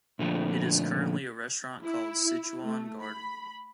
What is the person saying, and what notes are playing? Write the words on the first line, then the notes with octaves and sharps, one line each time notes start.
It is currently a restaurant called Sichuan Garden.
A#2 D3 F3 A3
E4
A3
B5